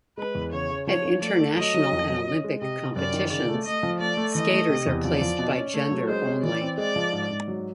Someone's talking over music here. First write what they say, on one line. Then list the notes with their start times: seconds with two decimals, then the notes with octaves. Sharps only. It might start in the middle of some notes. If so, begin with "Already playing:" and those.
At International and Olympic competitions, skaters are placed by gender only.
0.18 G#3 B4
0.35 E2
0.53 C#3 C#5
0.70 C#3
0.87 F3 C#5
1.05 F3
1.22 A3 D5
1.40 A3
1.57 F#3 D#5
1.74 F#3
1.92 F2
2.09 F#3
2.26 C#4
2.44 G#3
2.61 C3 D#5
2.79 C3
2.96 F#2 D5
3.14 D#3
3.30 C#3 D5
3.48 A3
3.65 A3 D#5
3.83 F3
4.00 A3 D5
4.17 A3
4.35 E3 D#5
4.53 A3
4.69 C3
4.87 E2
5.04 F3 D5
5.21 F3
5.39 B2
5.56 C#4
5.74 A3 C#5
5.91 F#3
6.08 G#3 C5
6.25 C#4
6.43 E3 D5
6.61 C4
6.78 G#3 D5
6.96 F3
7.13 G#2
7.30 G#2
7.48 F#3